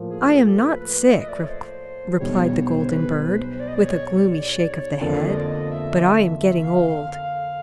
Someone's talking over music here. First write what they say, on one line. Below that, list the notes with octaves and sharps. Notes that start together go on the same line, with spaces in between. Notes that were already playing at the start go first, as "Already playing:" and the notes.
'I am not sick,' replied the golden bird, with a gloomy shake of the head; 'but I am getting old.'
Already playing: A2 F3 A#3
G#4
A4
B4
B4
E5
D#5
D5
C#5
C5
B1 B2 G3 C#5
C#5
C5
B4
B4
C5
D5
D#5
D5
C#5
C#5
D5
C#5
D5
C#5
D5
C#5
F2 D3 F3 A#3 D5
D5
D#5
D5
D#5
E5
E5
F5
F5
F5